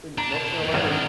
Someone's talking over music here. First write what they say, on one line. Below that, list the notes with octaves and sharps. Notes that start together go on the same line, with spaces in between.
think it was North Carolina and
D4 A#5
B2 A5
F#2 A#2
G#1 G#6 E7
D4 A#4